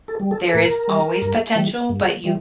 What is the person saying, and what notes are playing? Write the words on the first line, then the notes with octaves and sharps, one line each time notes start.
there is always potential, but you
A4
G3
A4
A4
A2 A#4
G3
G2
E3 G3
G2
E3 G3